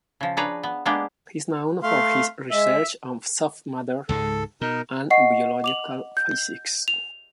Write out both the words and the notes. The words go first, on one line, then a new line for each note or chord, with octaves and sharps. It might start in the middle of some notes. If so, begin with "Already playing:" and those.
He is known for his research on Soft matter and Biological Physics.
C#3 F3
D4 G#4 B4 C#5 A#5
B3
G#3 A#3 B3 D4 G4 G#4
A3 F5 C6
G#3 E5
C#2 G#2 G#3 A4
B2 D#4 A#4
D#5 F#5 C#6 C7
D6 F7 F#7
G6
F7